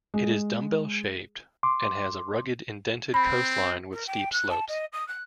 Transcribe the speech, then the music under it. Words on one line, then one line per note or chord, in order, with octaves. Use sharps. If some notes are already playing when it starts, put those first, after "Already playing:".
It is dumbbell-shaped and has a rugged indented coastline with steep slopes.
G#3
C6 D6
C4 B5
A#4
G5
F#6
A5
D#5
D#6
F#6